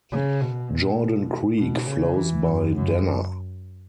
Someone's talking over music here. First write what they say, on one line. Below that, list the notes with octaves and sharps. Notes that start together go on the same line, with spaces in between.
Jordan Creek flows by Danner.
C#3
B2
A#2
B2
B2
C#3
E3
F#2
F#2